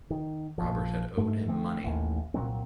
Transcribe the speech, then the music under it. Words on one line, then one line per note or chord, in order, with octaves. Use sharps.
Robert had owed him money.
D#3
A#1 F3
G#2 A3
D3 A3 C4
A1 D#2
C2 A#2 F#3 C4